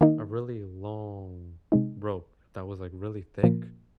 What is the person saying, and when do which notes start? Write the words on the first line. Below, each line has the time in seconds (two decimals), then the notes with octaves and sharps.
a really long rope that was, like, really thick,
0.01 D#3 A#3 D#4
1.72 C3 G#3 D#4
3.43 A#2 F3 A#3